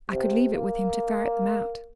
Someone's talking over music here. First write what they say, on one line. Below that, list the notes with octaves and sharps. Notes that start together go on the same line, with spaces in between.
I could leave it with him to ferret them out.
C3
A#3